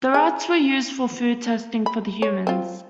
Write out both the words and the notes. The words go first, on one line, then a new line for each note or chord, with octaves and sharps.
The rats were used for food testing for the Humans.
G#4
B5
C#5
C4 F4